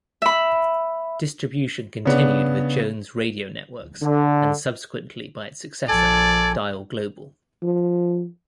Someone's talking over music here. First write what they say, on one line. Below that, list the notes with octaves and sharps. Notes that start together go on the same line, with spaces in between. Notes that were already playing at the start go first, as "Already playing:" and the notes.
Distribution continued with Jones Radio Networks and subsequently by its successor, Dial Global.
E5 B5
C#3 B3 D4
D3
A#1 F3 A4 D5 G#5
F3